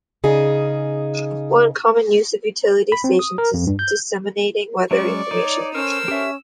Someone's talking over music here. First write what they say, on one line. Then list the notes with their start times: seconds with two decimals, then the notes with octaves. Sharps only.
One common use of utility stations is disseminating weather information.
0.24 C#3 D#4 G#4
2.92 B5
3.04 C4
3.19 D#6
3.38 A#4
3.54 F2
3.67 G2
3.79 G6
4.91 F#3 G#3 C#4 D5 C#6
5.31 D#4 C#5 D6
5.74 C#4 A4 A#4 C5 E6
6.08 C#4 G4 E5